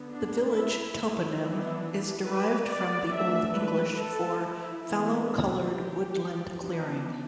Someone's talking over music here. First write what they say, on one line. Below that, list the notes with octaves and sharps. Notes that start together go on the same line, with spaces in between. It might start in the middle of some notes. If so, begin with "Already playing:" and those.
The village toponym is derived from the Old English for "fallow-coloured woodland clearing".
Already playing: D3 B3
D4
E4
E4
E3 B3 D4
B4
D5
E3 A3 D4 E5
B4
A4
E4
E3 B3 D4 E4
E4
G4
E3 B3 D4